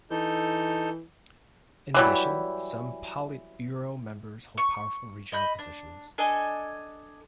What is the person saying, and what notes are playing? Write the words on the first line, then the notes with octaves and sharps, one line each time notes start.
In addition, some Politburo members hold powerful regional positions.
E3 D#4 A4 G6
E3 F#3 G3
C#6
D#5 B5 G6
D4
D4 A4 D#5 G#5